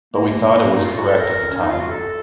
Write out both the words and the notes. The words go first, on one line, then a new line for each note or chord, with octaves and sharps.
But we thought it was correct at the time.
A#3
D#4
F4
F#4
A4
A#4
C#4
D#4
F4
F#4
A4